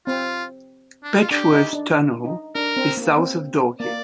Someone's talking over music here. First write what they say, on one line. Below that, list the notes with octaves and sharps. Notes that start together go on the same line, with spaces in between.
Betchworth Tunnel is south of Dorking.
C4 F4
D4
D#4
F4
D4 G4
D#4
D4
D#4
D4 A#4
C4
A#3
C4
A#3 D5